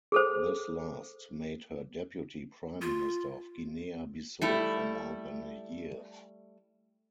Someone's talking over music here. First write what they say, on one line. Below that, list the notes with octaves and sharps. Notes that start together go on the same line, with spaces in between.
This last made her Deputy Prime Minister of Guinea-Bissau for more than a year.
G#4 A4 C5
F4
G3 A3 E4